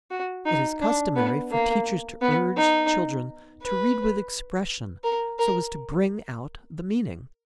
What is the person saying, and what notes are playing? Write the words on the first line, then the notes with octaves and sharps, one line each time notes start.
It is customary for teachers to urge children to read with expression, so as to bring out the meaning.
F#4
D#4
D4
B3
A#3
B3
D#4
B4
A#4
A#4